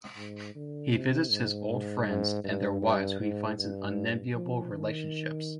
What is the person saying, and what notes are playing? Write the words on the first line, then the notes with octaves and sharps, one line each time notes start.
He visits his old friends and their wives who he finds in unenviable relationships.
G#2
D3
C3
G#2
G#2
G#2
G2
G2
G#2
G2
F3
D#3